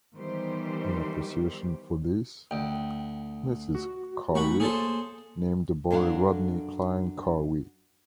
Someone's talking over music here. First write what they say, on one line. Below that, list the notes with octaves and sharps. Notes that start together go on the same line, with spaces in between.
In appreciation for this, Mrs. Carew named the boy Rodney Cline Carew.
D#3 E3 G3 B3 G4 C5
D2 G5
F#4
A3 D#4 F#4 F#5 B5 C#6
A#3 G#4 A4 C5 C#5
F#2 D4 A4 F5 F#5